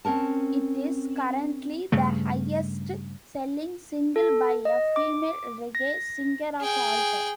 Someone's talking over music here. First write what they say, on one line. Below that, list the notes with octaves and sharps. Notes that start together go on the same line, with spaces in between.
It is currently the highest-selling single by a female reggae singer of all time.
C4 C#4 A#4 A5
G2 C#3 A3
A4
D#5
D6
A#6
G#4 G5